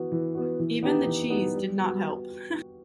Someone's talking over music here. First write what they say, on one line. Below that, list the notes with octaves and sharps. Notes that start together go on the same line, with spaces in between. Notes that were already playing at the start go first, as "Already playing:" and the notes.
Even the cheese did not help.
Already playing: E3 B3 F#4
E3
B3 F#4
E3
B3 D#4 G4
E3
B3 D#4 G4
G3
B3 F#4